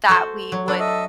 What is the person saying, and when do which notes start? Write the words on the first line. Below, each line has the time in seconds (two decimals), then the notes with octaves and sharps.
that we would
0.09 A3 F#4 C5
0.52 F#3
0.68 D4 A4 B4
0.79 A4 D#5 E5